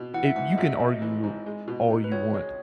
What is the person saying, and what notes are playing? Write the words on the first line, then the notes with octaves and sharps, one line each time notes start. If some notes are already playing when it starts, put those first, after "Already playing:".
i you can argue all you want
Already playing: B2
E3 F#5
E5
G#2 F#5
D#5
G#1 E5
G#1 D#5
E3
G#2
G#3
B2
D#4
B4
C#2 C#5
G#3